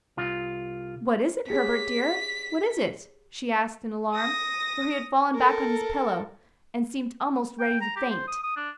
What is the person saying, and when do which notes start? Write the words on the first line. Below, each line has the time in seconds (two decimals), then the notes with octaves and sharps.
"What is it, Herbert dear, what is it?" she asked in alarm; for he had fallen back on his pillow, and seemed almost ready to faint.
0.17 C2 F4
1.50 G4 G#4 C#5 B6
4.14 D#6 A#6
5.35 A4 A#4
7.60 G5
7.81 A#5
7.96 G4
8.10 C5
8.28 D#6
8.44 D#6
8.57 D4